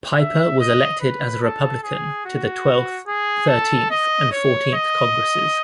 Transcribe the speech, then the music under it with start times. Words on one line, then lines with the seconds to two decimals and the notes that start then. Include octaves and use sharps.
Piper was elected as a Republican to the Twelfth, Thirteenth, and Fourteenth Congresses.
0.18 E5
0.59 D#5
1.00 B4
1.42 A4
1.83 G#4
2.25 F#4
3.07 G#4
3.48 A4
3.90 D#5
4.32 C#5
4.73 D#5